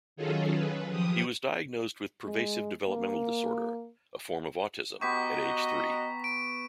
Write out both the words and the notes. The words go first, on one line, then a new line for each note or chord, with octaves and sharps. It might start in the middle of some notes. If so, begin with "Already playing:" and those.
He was diagnosed with pervasive developmental disorder, a form of autism, at age three.
D#3 F#3 C#4 F4 G#4 A4
B4
F3 G4 D#6
G#3
A#3
B3 F#4 G4 D#5 A#5 C#6 B6
D7